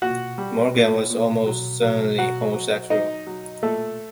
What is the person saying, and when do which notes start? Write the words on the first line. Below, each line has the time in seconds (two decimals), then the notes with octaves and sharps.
Morgan was "almost certainly homosexual".
0.02 A#2 F#4 F#5
0.38 G3
0.74 A#2
1.10 A#2
1.46 F#3
1.82 F#3
2.18 F#3 F#4 F#5
2.54 F#3
2.90 F#3 D#4 D#5
3.27 F#3
3.62 A#2 A3 A4